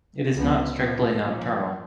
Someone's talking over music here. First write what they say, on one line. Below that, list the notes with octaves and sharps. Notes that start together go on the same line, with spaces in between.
It is not strictly nocturnal.
C#2 C#3 F3 B3
A#2 F3 B3
A#2 F3 A#3 C#4